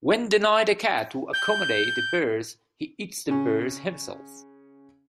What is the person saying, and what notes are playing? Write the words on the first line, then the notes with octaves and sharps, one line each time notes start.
When denied a cat to accommodate the birds, he eats the birds himself.
G6
C#3 C#4